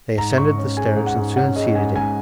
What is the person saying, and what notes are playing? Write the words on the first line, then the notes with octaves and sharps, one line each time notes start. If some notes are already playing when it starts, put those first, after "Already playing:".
They ascended the stairs, and soon seated him.
G#2 A#5
G#2 C#6
C#4
G#3 G#5
G#2
F#5
G#2
C#4 F#5
G#3 D#5
G#2 G#5
G#2 G#5